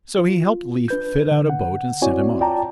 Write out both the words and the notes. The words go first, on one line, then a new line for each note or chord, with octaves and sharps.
So he helped Leif fit out a boat and sent him off.
F4
D4 B4 G6
D3
F#5
C4 E4 F#4 C#5 D5 G#5
F4 D5 G5 A5 A#5